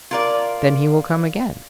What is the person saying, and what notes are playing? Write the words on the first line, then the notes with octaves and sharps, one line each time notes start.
"Then he will come again."
F4 A#4 D5